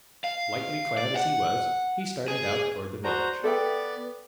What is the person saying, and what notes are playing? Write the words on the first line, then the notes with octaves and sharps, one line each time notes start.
Lightly clad as he was, he started out toward the village.
F5
D5
F#5
G#4
F#4 B4 C5 D5 A5 A#5
B3 A4 D5 E5 G5